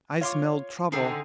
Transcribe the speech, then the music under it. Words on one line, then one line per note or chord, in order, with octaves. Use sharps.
I smell trouble.
F4 C#5 C6 D6
D3 C4 D#4 G#4 A4 F#5